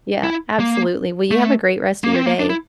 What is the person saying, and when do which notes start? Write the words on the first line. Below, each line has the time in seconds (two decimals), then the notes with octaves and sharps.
Yeah, absolutely, well, you have a great rest of your day.
0.24 E4
0.60 A#3
1.31 A3
2.04 A#3
2.14 C4
2.26 A#3
2.40 D4
2.50 E4